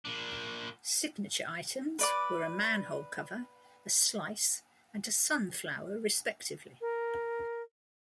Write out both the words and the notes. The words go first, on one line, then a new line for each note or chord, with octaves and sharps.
Signature items were a manhole cover, a slice, and a sunflower respectively.
A#2 D4
B4 D5 D6
A#4